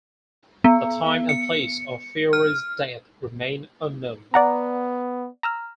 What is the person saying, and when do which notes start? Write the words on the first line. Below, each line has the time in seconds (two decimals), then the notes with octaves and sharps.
The time and place of Fiore's death remain unknown.
0.64 B3
1.29 C#7
2.33 F6
4.34 B3 D5 F#5 A#5
5.43 A#5 E6 F6